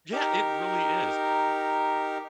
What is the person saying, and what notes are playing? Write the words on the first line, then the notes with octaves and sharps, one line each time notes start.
Yeah, it really is,
D#4 G4 A#4